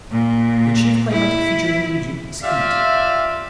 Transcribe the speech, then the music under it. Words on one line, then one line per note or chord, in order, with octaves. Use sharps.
The chief climatic feature in Egypt is heat.
A#2
E4
F4 G4 D5 E5 F5